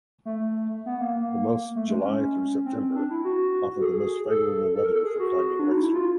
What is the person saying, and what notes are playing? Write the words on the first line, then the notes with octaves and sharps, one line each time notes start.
The months July through September offer the most favorable weather for climbing Rexford.
A3
B3
A#3
A#3
A3
G#3
C#4
C4
D4
E4
F#4
A4
G#4
G#4
G#4
A4
A4
A#4
A4
G#4
F#4
D4
D#4
E4
F4